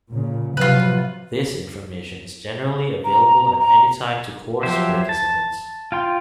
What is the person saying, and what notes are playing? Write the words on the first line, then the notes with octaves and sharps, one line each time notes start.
This information is generally available at any time to course participants.
A#2 C#3
C3 F3 F#3 F4 B4
A#5
A#5
F3 F#3 G4 C5 E5
A5
F4 G5 C6